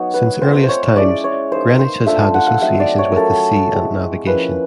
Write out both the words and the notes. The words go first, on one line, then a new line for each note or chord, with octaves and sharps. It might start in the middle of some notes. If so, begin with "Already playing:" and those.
Since earliest times Greenwich has had associations with the sea and navigation.
Already playing: F#3 B3 D#4 C#5
B4
A3 C4 F4 C5
C5
C#5
G#3 C#4 E4 D5
C#5
A#3 D#4 C5
C5
A3 D4 F4 E5
F#5
F5
F#3 A3 C4 D#4 E5
D5
C#5
A#4
F#3 A3 C#4 F4 A4
G#3 C4 E4
F3 A#3 C#4 E4 B4